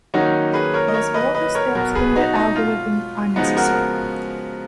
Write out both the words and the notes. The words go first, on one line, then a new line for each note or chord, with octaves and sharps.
Thus all the steps in the algorithm are necessary.
D#3 F#3 A#3 C#4 D#4 F#4
G#4 B4
A#4 C#5
D#5
A#4 C#5
B4 D#5
B4 D#5
A#4 C#5
B2 F#3 B3 F#4 A#4
G#4 B4
D#4 F#4
D#4
F4
C#3 F3 G#3 B3 D#4 F#4
F#4 A#4